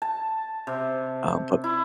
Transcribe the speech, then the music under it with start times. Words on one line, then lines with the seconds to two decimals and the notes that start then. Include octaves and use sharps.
Uh, but
0.02 A5
0.67 C3
1.64 E4